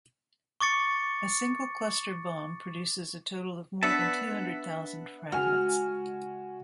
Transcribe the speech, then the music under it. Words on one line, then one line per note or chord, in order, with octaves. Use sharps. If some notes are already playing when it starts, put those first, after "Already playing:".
A single cluster bomb produces a total of more than two hundred thousand fragments.
C#6 D6 A6 C#7
B3 D4 B4 E5 F#5 A5
C#3 G#3 F#4 G#5 F6